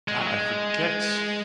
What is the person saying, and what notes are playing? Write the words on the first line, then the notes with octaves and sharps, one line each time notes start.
God, I forget
G#3
F#3
G#3